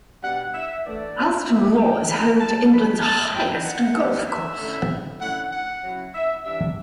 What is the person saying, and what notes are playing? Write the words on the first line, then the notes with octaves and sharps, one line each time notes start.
Alston Moor is home to England's highest golf course.
B2 G3 D4 F#5
E5
A2 E3 A3 D4 D5
A2 E3 B3 D4 E5
G5
E3 B3 E4
A5
D3 G3 D4 B5
A5
C#3 F#3 C#4 E4 G5
F#5
F#2 E3 G3 C#4 E4
E5
D3 A3 C#4 E4
D3 A3 C#4 E4 F#5
F#5
C#3 F#3 C#4 E4
E5
E3 G3 D4 E5